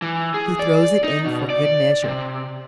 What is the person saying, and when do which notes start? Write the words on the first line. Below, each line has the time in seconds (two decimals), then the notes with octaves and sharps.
He throws it in for good measure.
0.02 E3
0.34 G#4
0.59 D5
1.04 D#4
1.26 B2
1.50 D5
2.03 C3